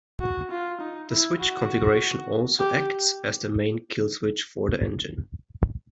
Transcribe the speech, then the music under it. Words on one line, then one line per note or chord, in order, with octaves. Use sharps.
This switch configuration also acts as the main kill switch for the engine.
F#4
F4
D#4
E4
F#4
G4